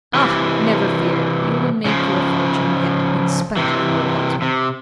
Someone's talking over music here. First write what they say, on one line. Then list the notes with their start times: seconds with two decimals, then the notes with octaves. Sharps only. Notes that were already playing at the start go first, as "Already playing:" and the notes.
"Ah! never fear; you will make your fortune yet, in spite of Lord Luxmore."
0.14 C3 E3
1.85 C#3 F3
3.57 C3 E3
4.42 C3